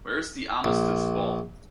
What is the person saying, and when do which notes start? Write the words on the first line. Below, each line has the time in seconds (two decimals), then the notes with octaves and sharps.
Where's the Armistice Ball?
0.64 A#1